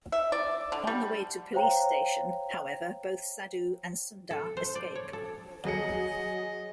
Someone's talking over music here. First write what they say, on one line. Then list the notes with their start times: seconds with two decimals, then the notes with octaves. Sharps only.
On the way to Police Station, however, both Sadhu and Sundar escape.
0.12 E5
0.32 D5
0.72 D3
0.87 G3
1.54 C5 C#5 F5 G5 A#5
4.31 A4
4.57 C5
4.75 D5
4.95 C#5
5.13 A4
5.65 F#3 G#4 D#5 C#7